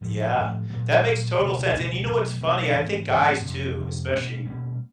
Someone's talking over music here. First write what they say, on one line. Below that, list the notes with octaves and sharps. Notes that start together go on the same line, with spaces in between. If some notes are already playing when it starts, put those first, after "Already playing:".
Yeah. That makes total sense, and, you know, what's funny? I think guys too, especially
A2 F3 A3
A2 F3 A3
A#2 F#3 A#3
A#2 F#3 A#3
C#2 B2 F#3
C#2 B2 F#3
B2 F#3 A3
B2 F#3 A3
G#2 E3 A3 C4
G#2 E3 A3 C4
F2 C3 F3
F2 C3 F3
B2 G3 A#3 C#4
B2 G3 A#3 C#4